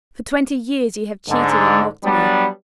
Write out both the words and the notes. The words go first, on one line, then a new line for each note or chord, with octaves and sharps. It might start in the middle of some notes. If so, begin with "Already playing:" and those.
For twenty years you have cheated and mocked me.
G#2 D3
F#3 G3 B3 D4